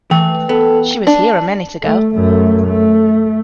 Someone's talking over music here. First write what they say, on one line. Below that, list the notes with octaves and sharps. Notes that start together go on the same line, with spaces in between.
She was here a minute ago.
E3 A3 G5
B3 A4
D4
A3
F#2 A3
A3